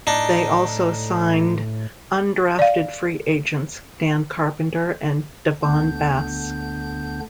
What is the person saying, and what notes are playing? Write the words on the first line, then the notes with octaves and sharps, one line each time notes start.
They also signed undrafted free agents Dan Carpenter and Davone Bess.
A2 D4 D#4
D5 F5
D2 D3 B3 D4 G6